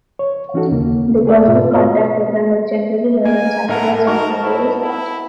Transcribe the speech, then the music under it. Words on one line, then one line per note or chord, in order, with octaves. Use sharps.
The Personal Contact Programme is generally held on Saturdays and Sundays.
C#5
E3 C#4 D#4 F#4 A4
D#2 C#3 A#3
A3 A#3 G#4 A#4 D5 E5
G#2 B2 A3 F4
F#4 C#5 D#5
A#3 G#5
A2 A#4 E5 F#5 A5
D#4 F#4 A#4 C#6
E4
E4